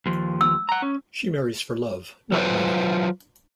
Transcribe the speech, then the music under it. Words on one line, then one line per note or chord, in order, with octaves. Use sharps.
She marries for love, not money.
D#2 F3
E6
F#5 A#5
C#4
F#3 F4 B4 C5